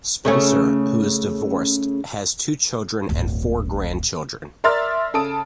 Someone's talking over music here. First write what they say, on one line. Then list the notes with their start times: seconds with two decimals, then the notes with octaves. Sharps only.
Spencer, who is divorced, has two children and four grandchildren.
0.25 C#3 A3 C#4
3.09 D1 G1
4.64 A#4 D5 E5 C6 F6 A6
5.14 C#3 A4 A5 D#6 D7